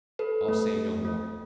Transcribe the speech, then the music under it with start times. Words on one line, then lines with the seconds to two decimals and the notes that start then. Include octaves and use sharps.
I'll say no more.
0.19 A4 B4
0.48 A3
0.77 A3
1.05 A3